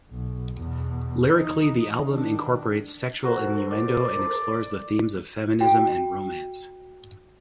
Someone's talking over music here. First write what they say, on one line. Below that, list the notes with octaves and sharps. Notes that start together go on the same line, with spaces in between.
Lyrically the album incorporates sexual innuendo and explores the themes of feminism and romance.
B1
E2 B2
E3 D#4
D#3 D4
F#4 A4 A#4 C5
D5
F#4 G5